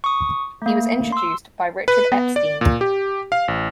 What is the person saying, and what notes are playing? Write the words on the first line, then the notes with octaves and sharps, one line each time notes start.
He was introduced by Richard Epstein.
C#6 D#6
A3 A#3
C6 E6
B4
B3
D5
A#2
G4
F5
A1